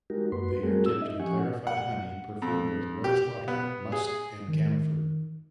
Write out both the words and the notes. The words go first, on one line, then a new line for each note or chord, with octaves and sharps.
They are dipped in clarified honey perfumed with rose water, musk and camphor.
G#3 D#4 F#4 G4 A#4
F#2 A#3 F#4 B4 C6
G3 A3 C4 F#4 G#4 A#4
E6
D#4 D#5 E5
F3 C#4 G4 F#5 G#5 C#6
F#5
F2
G4
B3
G#4
D#3